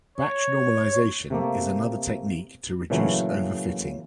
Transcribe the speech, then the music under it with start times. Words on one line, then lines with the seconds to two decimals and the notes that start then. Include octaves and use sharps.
Batch normalisation is another technique to reduce overfitting.
0.18 C#5
1.30 C3 A3 A#3
2.90 A#2 C#3 E3 F#3 A3